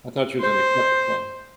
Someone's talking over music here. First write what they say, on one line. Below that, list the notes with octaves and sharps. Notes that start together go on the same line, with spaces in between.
I thought she was gonna cut her palm.
C5